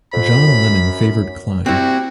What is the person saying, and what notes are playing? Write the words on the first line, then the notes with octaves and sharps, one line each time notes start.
John Lennon favoured Klein.
F2 B5
F#2
C4 E4 F#4 G4